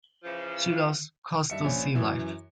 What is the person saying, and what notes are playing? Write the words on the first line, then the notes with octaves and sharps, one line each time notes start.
She loves coastal sea life.
C#3 E3 F3
G2 E5 C#7
A#1 C#4 G#5
F#2 E3